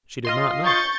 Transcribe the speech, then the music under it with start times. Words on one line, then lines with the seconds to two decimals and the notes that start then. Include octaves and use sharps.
She did not know.
0.25 F4 D#5 C6
0.63 C#6 G6 A6